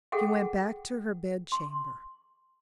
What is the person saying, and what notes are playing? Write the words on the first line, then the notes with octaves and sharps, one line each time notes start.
She went back to her bed-chamber.
G#4 A4 F#5 G5
C6